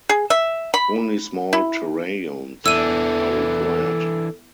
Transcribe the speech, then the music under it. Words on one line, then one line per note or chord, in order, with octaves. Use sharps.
Only small terrariums are required.
G#4
E5
B5
E4
E2 E3 D4 A4 E6 D#7